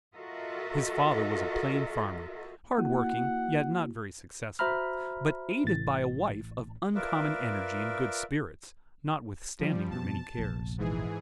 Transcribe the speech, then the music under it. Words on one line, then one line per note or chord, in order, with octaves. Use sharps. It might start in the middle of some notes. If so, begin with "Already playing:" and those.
His father was a plain farmer, hard-working, yet not very successful, but aided by a wife of uncommon energy and good spirits, notwithstanding her many cares.
F4 F#4 A4 A#4 D#5 E5
A#3 E4 F#4 F#5
F#4 C5 E5 A#5 B5 F6
A1 A2 A6
F4 A#4 B4 D5 E5
F3 G3
F2 B2 A5
F1 A#1
G#2 E3 G#4